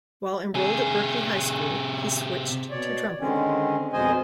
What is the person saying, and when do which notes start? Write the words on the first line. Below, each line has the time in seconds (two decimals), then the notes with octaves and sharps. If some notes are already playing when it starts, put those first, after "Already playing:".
While enrolled at Berkeley High School, he switched to trumpet.
0.55 C3 G#4
2.71 B2 C#5 D5
3.21 D3 D#3 G#3 C4 C#4
3.93 F2 B2 G#3 C5 D#5 G#5